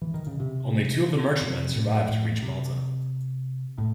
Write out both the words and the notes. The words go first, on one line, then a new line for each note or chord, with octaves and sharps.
Only two of the merchantmen survived to reach Malta.
E3
D#3
C#3
C3
C3
A2
A2
C3
A2